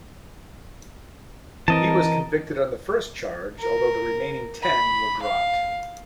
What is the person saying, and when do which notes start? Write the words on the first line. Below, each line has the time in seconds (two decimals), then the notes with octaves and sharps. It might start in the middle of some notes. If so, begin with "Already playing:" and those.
He was convicted on the first charge, although the remaining ten were dropped.
1.68 E3 C4 A#4 D#5 A5
3.59 A#4
4.63 B5
5.22 F5